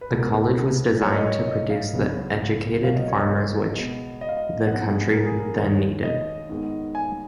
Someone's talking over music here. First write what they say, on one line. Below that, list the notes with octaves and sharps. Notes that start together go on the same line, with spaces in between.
The college was designed to produce the educated farmers which the country then needed.
B4
C#2 B2 G#3 B3 A#4
A#2 F#3 A#3 C#5
D#5
C#5
D#5
F5
C#2 C#3 F#3 B3
C#2 B2 F#3 A#3 F5
D#5
C#5
D#5
B2 G#3 B3
D#5
F5
D#5
G#2 F3 B3 F#5
G#4
A#4
G#4
A#4
D#2 D#3 G#3 C#5
D#5
G#2 D#3 G#3 B3
G#5